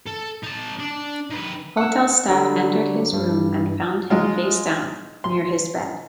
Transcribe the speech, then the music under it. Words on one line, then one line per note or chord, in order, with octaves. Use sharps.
Hotel staff entered his room and found him face down, near his bed.
A4
D#4 A5
D4
D#3 B4
F#5 E6
D3 F#3 G3
G2
F#3 G#3 F4
C6